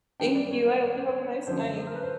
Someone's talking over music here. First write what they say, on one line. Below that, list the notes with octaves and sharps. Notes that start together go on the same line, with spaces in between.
Thank you, I hope you have a nice night.
F#2 D#3 G3 B3 D4 G5
D5
C#5
C5
C#5
C5
C#5
F#2 D3 F3 C5
A#4
B4
C5